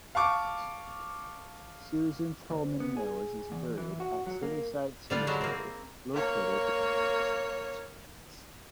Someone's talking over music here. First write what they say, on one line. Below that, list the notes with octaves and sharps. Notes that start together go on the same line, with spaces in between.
Susan Tolman Mills is buried at Sunnyside Cemetery, located on the Mills College Campus.
F5 A5 C#6 D6
D2
B3
G#4
E2
E3
F#4
F#3
A#3
D3 G3 F4
F#3 G#3 E4
A#3 C4
A#3 C#5